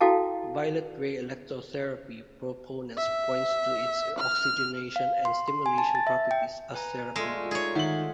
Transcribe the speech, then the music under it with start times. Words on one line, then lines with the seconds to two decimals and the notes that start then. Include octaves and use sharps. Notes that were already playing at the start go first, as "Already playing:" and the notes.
Violet ray electrotherapy proponents point to its oxygenation and stimulation properties as therapeutic.
0.01 E4 F#4 A4 F5 G5 A5
2.97 E5
4.18 F6
4.96 F5
5.25 C6
5.48 C6
5.66 G#5
5.78 A5
5.95 A6
6.07 E5
6.31 G5
6.74 B4 G#5 A#5
7.16 G#3 A3 F4 D5 G#5
7.51 D#4 G#4 C#5
7.75 D#3 E5 F#5 F#7